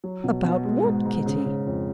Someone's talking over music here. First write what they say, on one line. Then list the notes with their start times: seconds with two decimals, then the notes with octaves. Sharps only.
"About what, Kitty?"
0.04 F#3
0.24 B2
0.44 B2
0.65 G#3
0.85 G#2
1.05 G#2
1.26 C#3
1.46 C#3
1.67 F2